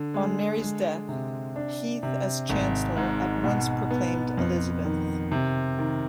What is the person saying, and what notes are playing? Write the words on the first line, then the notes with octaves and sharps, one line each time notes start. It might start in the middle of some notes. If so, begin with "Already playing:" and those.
On Mary's death Heath as chancellor at once proclaimed Elizabeth.
Already playing: D3
G#3
G#3
C3
D4
C3
G#1
G#2
B2
B3
F2
D#3
C3
D#3